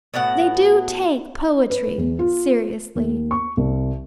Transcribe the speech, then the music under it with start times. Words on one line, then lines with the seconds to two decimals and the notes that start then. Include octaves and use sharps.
They do take poetry seriously.
0.14 A2 B3 F#4 F#5
1.70 B4
1.98 E2
2.19 F4
2.95 D#2
3.31 C#6
3.57 C2